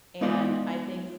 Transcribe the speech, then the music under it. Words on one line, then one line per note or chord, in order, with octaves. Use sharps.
and I think f
G#3 B3 D#4 F4 D5 D#5